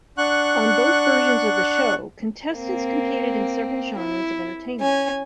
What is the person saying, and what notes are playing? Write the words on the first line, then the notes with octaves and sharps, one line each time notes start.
On both versions of the show, contestants competed in several genres of entertainment.
D4 F#5 C#6 F#6
A#3 C4
E4
C#4 G#5